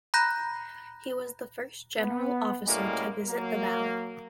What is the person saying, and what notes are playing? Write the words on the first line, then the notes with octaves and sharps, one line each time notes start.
He was the first General officer to visit the valley.
A#5 B5 F#6 G6 A#6
B3
F#2 A2 G3 G#3 A#3
F#3 A#3